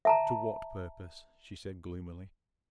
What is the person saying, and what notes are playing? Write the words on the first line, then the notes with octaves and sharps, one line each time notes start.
"To what purpose?" she said gloomily.
E5 A5 A#5